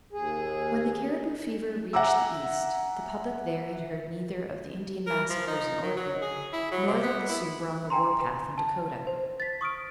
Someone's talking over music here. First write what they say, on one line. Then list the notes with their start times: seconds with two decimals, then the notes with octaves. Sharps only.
When the Cariboo fever reached the East, the public there had heard neither of the Indian massacres in Oregon nor that the Sioux were on the war-path in Dakota.
0.13 D#2 G#4
1.93 E5 F#5 G#5 A#5 D6 E6
5.07 A#4
5.29 F3
5.47 D#4
5.83 D#3
5.96 F#3
6.21 G#4
6.53 E4
6.71 F#3
6.87 C3
7.03 B3
7.28 E4
7.90 G5 G#5 A#5 C6
8.58 A5
9.07 C5
9.40 A6 B6
9.61 C#6 D#6 F6 D7